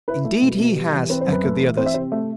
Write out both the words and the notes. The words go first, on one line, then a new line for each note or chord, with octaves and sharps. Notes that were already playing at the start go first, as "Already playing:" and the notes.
'Indeed he has!' echoed the others.
E4 B4
A3
B2
B2
G3
E3
C4 B4
C5
F#2
B4
A3
E3
C4 C5
E5
C3 C5
A3